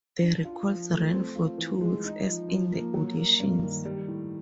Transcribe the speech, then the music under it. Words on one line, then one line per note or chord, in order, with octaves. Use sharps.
The recalls ran for two weeks as in the auditions.
D4
F4
F3
A3
C4
F4
E3
G#3
D#4
F3
F3
A#3
F#3
A#3
G2
D#3
G3
A2